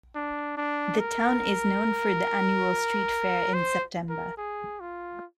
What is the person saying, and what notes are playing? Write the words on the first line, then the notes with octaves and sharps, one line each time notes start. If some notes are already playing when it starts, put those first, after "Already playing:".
The town is known for the annual street fair in September.
D4
D4
A#4
C5
A#4
G#4
F4